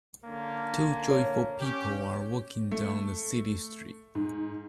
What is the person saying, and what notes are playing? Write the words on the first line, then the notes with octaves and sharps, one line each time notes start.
Two joyful people are walking down the city street.
D3 A#3 C#4
C#5
C#4 G4
A3
G#2